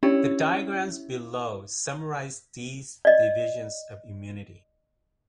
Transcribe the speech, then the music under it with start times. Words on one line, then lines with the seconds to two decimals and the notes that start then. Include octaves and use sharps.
The diagram below summarizes these divisions of immunity.
0.03 C#4 D4 E4 G4 C#5
3.05 D5 D#5